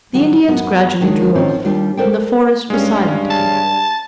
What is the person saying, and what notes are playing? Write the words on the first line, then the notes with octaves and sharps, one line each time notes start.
The Indians gradually drew off, and the forest was silent again.
D#3 F#3 G3
F#2 F#3 B3
D#3 F#3 G#3 A#3 D4
F3 C4 C#4 D#4
D#2 G3 D4 F4
A4 A#4 C5 D5 E5 G5
G2 G#3 C#4
A5